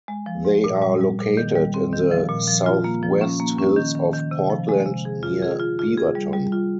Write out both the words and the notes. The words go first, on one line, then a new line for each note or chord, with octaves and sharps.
They are located in the southwest hills of Portland, near Beaverton.
G#3
F3
G#2
A#2
G3
G3
A#2
D#3
G3
C4
D#3
F3
A#2
F3
F4
A#3
F3
C#4
A#3
C#4
D#3
D#3
D#3
C3
F3
G#3
C3
G#4
F4
G#4
F4
F4
G#4
G3
G3
F4